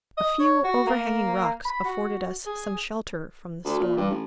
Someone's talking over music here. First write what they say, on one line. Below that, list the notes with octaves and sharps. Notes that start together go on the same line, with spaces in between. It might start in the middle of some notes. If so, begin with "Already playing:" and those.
A few overhanging rocks afforded us some shelter from the storm.
D#5
C#5
F#4
A#3
B5
F#4
G#4
D2
A#2
G2
A1